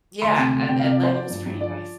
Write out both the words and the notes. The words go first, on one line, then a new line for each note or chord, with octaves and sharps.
yeah, At Atlanta was pretty nice.
D2 C6
C3
D2
C3 G5
C3 F5
D5
F3 C5
F3 D5
G2
G2
F3 D5